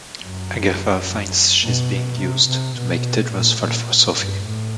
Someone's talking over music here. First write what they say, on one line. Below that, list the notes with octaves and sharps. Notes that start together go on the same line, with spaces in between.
Agatha finds she is being used to make Tedros fall for Sophie.
F#2
B2
C3
C3
B2
A#2
A#2
G2
A2